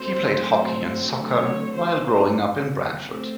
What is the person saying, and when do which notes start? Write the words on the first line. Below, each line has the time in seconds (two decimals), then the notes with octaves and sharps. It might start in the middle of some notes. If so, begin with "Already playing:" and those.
He played hockey and soccer while growing up in Brantford.
Already playing: D3 F#3 A3 C4 C5
1.32 C#5
1.75 C5
3.06 A3 C4